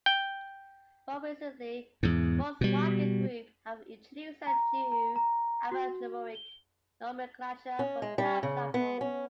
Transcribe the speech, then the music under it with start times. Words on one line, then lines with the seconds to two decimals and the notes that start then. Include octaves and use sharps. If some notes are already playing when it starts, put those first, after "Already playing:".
More recently, Volkswagen Group have introduced a new alphanumeric nomenclature for car platforms.
0.06 G5
2.03 E2 G#2
2.61 B2 G3
4.47 A#5
4.92 A#5
5.16 A#5
5.71 F#4
6.35 G7
7.79 C#4
8.02 G#3
8.18 G3
8.43 C#3
8.74 B3
9.01 C#4